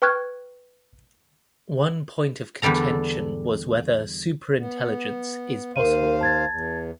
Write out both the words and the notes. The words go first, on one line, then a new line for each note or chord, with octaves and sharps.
One point of contention was whether superintelligence is possible.
B4 G5 C#6 F6 F#6 G#6
E2 D3 G3 A4 A#5
B3
D#2 A#4 C5 F5 D#7
A5 G#6 A6
E2